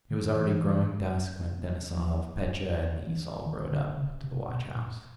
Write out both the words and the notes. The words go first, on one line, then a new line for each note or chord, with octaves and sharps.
It was already growing dusk when Denisov, Petya, and the esaul rode up to the watchhouse.
D#3
E3
F3
E3
D#3
D3
C#3
C3
B2
A#2